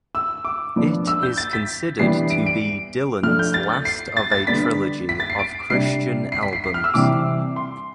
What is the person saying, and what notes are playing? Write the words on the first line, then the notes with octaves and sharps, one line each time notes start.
It is considered to be Dylan's last of a trilogy of Christian albums.
E6
D6
F3 B3 D4
E6
G6
A6
B6
E3 G3 B3 D4 C7
D7
D7
F3 A3 D4 F6
G6
A6
C7
A6
A6
D3 G3 B3 D4 B6
B6
A6
C7
D7
C3 G3 D4 C7
C7
B6
C7
C7
F6
E6
C3 E3 G3 C4 D6
C6